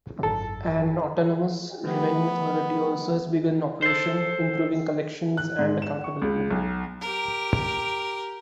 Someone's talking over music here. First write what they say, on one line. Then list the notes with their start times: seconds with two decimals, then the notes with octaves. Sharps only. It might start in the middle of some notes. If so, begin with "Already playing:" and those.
An autonomous revenue authority also has begun operation, improving collections and accountability.
0.23 G#1 F#2 D#3 A4
1.85 F3 A3 B3 G4
3.82 A4 C5
5.37 F#6
5.59 G#2
5.82 E7
6.04 C#6
6.22 C#2
6.50 B1
7.02 G4 A#4